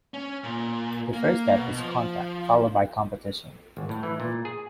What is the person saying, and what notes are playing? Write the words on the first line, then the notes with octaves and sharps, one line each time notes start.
The first step is contact followed by competition.
C#4
A#2
A#3
B2
F3
G#1
A2
E3
A#2
G#4